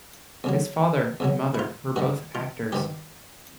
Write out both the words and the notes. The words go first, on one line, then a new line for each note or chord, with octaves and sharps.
His father and mother were both actors.
E2 C#3 F#3
E2 C#3 F#3
E4
F4
G2 D#3 G3 F#4
F4
G2 D#3 G3 G4